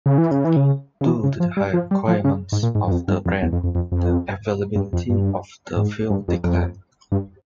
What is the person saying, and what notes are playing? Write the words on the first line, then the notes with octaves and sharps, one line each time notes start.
Due to the high requirements of the brand, the availability of the fuel declined.
C#3
E3
C#3
E3
C#3
C#3
E3
C#3
F3
G3
F3
G3
F3
C#3
G#2
A#2
G#2
G2
F2
G2
F2
E2
F2
F2
F2
F2
G2
F2
G2
G#2
G2
F2
F2
G2